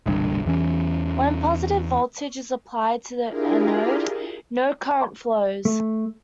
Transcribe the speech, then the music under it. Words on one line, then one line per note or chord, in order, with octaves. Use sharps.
When positive voltage is applied to the anode, no current flows.
E1 C2 G2 D3
E2 E3 C#4
D4 E4 F4 G4 G#4 A#4
A3